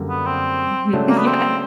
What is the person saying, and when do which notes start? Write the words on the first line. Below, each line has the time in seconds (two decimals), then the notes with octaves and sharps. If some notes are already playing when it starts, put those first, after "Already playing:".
Mhm, yeah.
Already playing: F#2 D3 G3 A#3
0.09 B3
0.26 C4
0.93 C#3 F#3 A3 D4
1.09 A#3
1.17 B3
1.26 C4